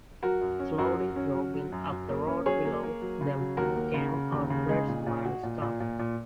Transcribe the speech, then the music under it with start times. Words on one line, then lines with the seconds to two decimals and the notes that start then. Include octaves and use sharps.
Slowly jogging up the road below them came a tradesman's cart.
0.23 F#3 F#4 A#4
0.41 F#2
0.60 C#4
0.78 F#2 F#4 A#4
0.97 F#2
1.16 C#4
1.34 F#3
1.54 F#3
1.72 F#2
1.91 F#2
2.09 A#3
2.27 C#4
2.46 F#3 G#4 C#5
2.65 A#3
2.83 A#3
3.02 F#3
3.21 C#3
3.39 F#3
3.57 D#2 F#4 A#4
3.76 A#3
3.94 C#3
4.14 C#3
4.32 D#2
4.50 C#3
4.69 G#3 D#4 G#4
4.88 A#2
5.07 A#2
5.25 F#4
5.43 A#2
5.62 A#2
5.80 A#2
5.99 A#2